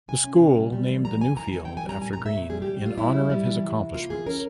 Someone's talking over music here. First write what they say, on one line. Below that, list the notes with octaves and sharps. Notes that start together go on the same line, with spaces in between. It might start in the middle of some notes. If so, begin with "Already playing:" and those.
The school named the new field after Green in honor of his accomplishments.
C3 G#5
C#4
C3
G3
G3
E3
E3 A#5
E3 G#5
E3 A#5
E3 G#5
C4 G5
G#5
G3 A#5
A#2 G#5
A#2 A#5
E5
A#2
G3 G#4
A#2 G4
G3 F4
C4 E4
G3
G3
E3
C3
C3
A#3 F4
E3 G#4
C#4 A#4